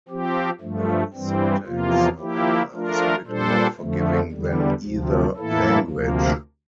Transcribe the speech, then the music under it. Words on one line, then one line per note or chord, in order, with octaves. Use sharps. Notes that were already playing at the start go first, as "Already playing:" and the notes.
The syntax, however, is a bit more forgiving than either language.
F3 C4 G4
G2 F3 A3
G2 E3 G3 C4
E2 C3 F3 A#3 F4
F3 A#3 E4 G4
F3 A3 D4 F4 A#4
A#2 G3 D4 A4 C5
F2 D3 F3 A3
E2 D3 G3
D2 C3 F3
A2 E3 A#3 E4 A4
D2 C3 F3 A#3